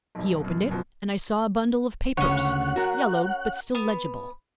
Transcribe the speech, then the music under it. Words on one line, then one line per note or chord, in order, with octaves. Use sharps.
He opened it and I saw a bundle of papers, yellowed but still legible.
F1 B1
F#2 B2
F#2 B2 F3
D2 C#3 C#4 C#5 F#5
F#4 A#4
B3